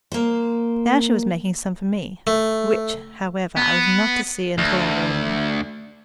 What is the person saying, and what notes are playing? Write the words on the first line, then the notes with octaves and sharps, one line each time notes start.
Now she was making some for me, which, however, I was not to see until I wore them.
A#3 C5
A3
B3
D2